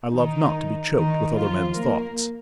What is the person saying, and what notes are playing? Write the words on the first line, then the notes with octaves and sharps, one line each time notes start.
I love not to be choked with other men's thoughts.
D#3 D#4
D#3 D#4
F3 F4
A#3 A#4